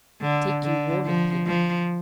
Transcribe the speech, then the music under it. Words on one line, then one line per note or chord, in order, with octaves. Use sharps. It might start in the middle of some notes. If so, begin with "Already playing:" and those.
Take you warning, Pierre!
D3
D3
F3
F3